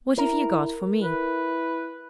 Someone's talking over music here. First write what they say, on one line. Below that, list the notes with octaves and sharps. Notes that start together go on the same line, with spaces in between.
What have you got for me?'
E4 A#4
E4 B4